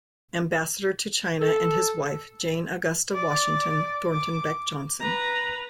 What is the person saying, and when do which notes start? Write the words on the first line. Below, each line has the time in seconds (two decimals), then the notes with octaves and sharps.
Ambassador to China and his wife Jane Augusta Washington Thornton Beck Johnson.
1.41 A4
3.14 D5
4.12 D6
5.01 B4 A#5